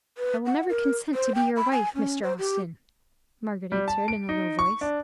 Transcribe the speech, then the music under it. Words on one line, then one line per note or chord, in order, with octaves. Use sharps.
"I will never consent to be your wife, Mr. Austin!" Margaret answered, in a low voice.
B4
F#5
A#4
C5
G5
B5
G#5
C#4
C5
G4
G3
A5
D7
D#4
C#6
D4